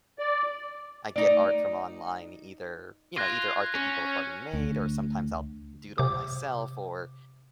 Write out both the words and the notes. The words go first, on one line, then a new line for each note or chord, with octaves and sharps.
I get art from online either, you know, either art that people have already made or sometimes I'll doodle myself or,
D5
D#4 D5
F4 F#6 G#6 A#6
C#4
D2
C3 D6